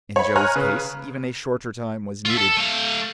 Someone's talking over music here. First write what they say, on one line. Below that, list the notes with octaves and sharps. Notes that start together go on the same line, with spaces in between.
In Joe's case even a shorter time was needed.
C#5 B5
C#5 G#5 A#5 F6 F#6
C#3 B4
F4 E5
A4
A3 F5